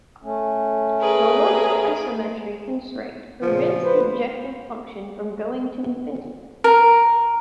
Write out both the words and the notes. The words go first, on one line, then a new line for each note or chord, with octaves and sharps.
The local isometry constraint prevents the objective function from going to infinity.
A3 C#4
G#4 A#4 B4
A#2 C#3 F3
B4 C5
A#4